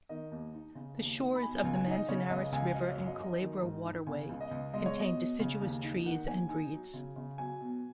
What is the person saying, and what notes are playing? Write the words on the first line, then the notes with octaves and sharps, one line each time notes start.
The shores of the Manzanares River and Culebro Waterway contain deciduous trees and reeds.
D#3 D#5
D#2
D#4
C#3
D#2
D#4
B5
B2 G#5
G#5
C#2
G#5
D#4 D#5
C#3 C#5
C#2 D#5
C#2 G#5
F#3 D#5
C#5
F#2
D#5
F#2 D#5
D#3
G#2
D#4
C#3 G#5
C#2
D#5
C#2
G#3 D#5
C#5
B2 D#5
B2
C#3
D#2
D#4
D#3 F#5
D#2 G#5
D#4 G#5
F#3
C#3
C#3
F#3 G#5
B2